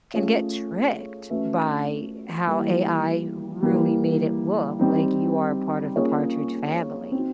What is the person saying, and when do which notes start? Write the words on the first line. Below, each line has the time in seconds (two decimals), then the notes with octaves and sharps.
can get tricked by how AI really made it look like you are part of the Partridge family.
0.14 A3 C#4 F4 G#4 C#5
1.30 A3 C#4 F#4 B4 E5
2.47 E3 G3 A#3
3.63 E3 G3 A#3
4.79 G3 C4 D#4
5.96 A#3 C#4 F4 G#4 C#5
7.12 C4 D#4 F#4